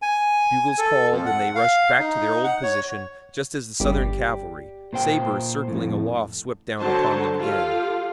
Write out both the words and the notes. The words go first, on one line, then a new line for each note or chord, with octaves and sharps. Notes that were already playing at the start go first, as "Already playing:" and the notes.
Bugles called and they rushed back to their old position just as the Southern cavalry, sabers circling aloft swept down upon them again.
G#5
A4
F2
F#5
F5
D#4
F#5
C#5
G1 G4 D5
A#2 C5 G5
F2 A2
D3 F#3 C5 A5
F4 G4 A4 F5